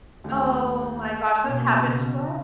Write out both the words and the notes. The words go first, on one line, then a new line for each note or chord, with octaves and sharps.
Oh my gosh, that's happened to us?
D#2 A3
B2 A#3
C#3